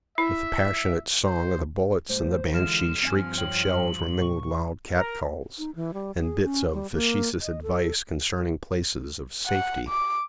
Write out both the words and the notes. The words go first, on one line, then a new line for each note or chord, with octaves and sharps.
With the passionate song of the bullets and the banshee shrieks of shells were mingled loud catcalls and bits of facetious advice concerning places of safety.
E4 E5
C5
G#2 G3 A3 C5
D3 E3 G#3 F4 F6 E7
G2 F3 C4 D#5 G#5
C#5 G5 F#7
A#2 C#6
A#4
D#4
E3
G3
G#4
C#4
G3
A#3
D#5
A4
F#5
D6